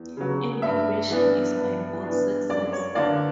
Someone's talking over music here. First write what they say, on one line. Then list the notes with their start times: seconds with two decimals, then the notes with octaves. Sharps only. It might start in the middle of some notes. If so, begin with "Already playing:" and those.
Incubation is by both sexes.
Already playing: E2
0.17 C#3 F#3
0.62 G2 E5
1.10 E3 B3 D4
1.56 G2
2.03 E3 B3 D4
2.49 F#2 D5
2.73 C#5
2.95 D3 A#3 D5